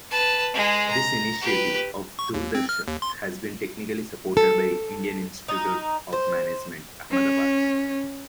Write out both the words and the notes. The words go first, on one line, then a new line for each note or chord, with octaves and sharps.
This initiative of Doordarshan has been technically supported by Indian Institute of Management, Ahmedabad.
B4 A5
G#3 G#4
A#5
G4 B4
C#6
D#2
C4
F6
D#2
C6
A4
D#4
C5
C#4